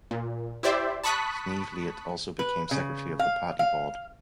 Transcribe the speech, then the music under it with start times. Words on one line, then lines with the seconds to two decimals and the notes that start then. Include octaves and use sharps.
Sneevliet also became secretary of the party-board.
0.11 A#2
0.63 E4 G4 C5 D5 E5
1.04 A5 B5 C#6 D#6 F#6 B6
2.39 B4
2.71 C#3
3.19 F5
3.59 F5